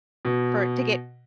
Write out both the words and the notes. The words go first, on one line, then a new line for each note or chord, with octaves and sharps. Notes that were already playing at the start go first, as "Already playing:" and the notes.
for to get
B2